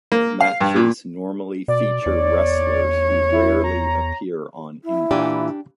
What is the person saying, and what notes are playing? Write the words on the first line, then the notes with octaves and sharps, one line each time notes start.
Matches normally feature wrestlers who rarely appear on "Impact!".
A#3
F5
G2
A#2
B2 D5
E2 C#5
E4
A#5
E4
A#2 E3 D4 G4 G#5